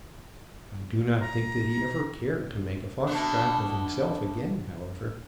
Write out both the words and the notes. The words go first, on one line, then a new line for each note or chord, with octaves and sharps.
I do not think that he ever cared to make a fox-trap of himself again, however.
A#5
B2 A3 D4